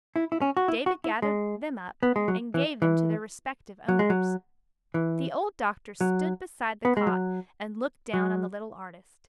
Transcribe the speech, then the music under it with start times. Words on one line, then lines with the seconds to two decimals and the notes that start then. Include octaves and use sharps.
David gathered them up and gave them to their respective owners. The old doctor stood beside the cot and looked down on the little artist.
0.16 E4
0.32 E4
0.42 C#4
0.57 F#4
0.68 E4
0.86 F#4
1.04 E4
1.22 G#3
2.03 B3
2.16 G#3
2.28 F#3
2.54 E3
2.82 E3
3.88 F#3
3.99 G#3
4.10 F#3
4.94 E3
6.01 F#3
6.85 B3
6.97 G#3
7.07 F#3
8.14 F#3